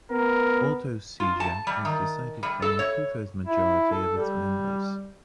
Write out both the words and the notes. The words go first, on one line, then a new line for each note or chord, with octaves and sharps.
Auto-seizure is decided by a two-thirds majority of its members.
B3 A#4
F4
A5
G3
D#3
G3
A4
C#5
E4
A4
G3